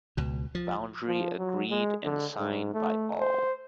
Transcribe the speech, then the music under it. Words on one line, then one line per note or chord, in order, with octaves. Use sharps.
Boundary agreed and signed by all.
C#2 B2
F3
F3
F#3
G#3
D3
G#2
A3
C5